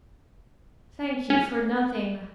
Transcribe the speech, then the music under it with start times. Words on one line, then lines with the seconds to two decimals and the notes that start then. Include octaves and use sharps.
"Thank you for nothing."
1.30 C#4